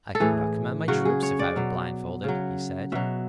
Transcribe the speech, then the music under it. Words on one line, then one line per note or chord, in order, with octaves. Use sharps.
"I could not command my troops if I were blindfolded," he said.
A4
A2 E3 G#4
C#3 F#3 F#4
G#4
C#5
D5
B2 F#3
C#3 F#3
B2 F#3 E5